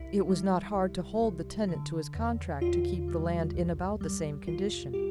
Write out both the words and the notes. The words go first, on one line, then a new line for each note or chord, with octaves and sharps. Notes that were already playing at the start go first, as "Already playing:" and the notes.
It was not hard to hold the tenant to his contract to keep the land in about the same condition.
Already playing: C2 E4
G3
C2
C2
D3
E2
E2 F4
G3
C2
G3
C2 F4
G4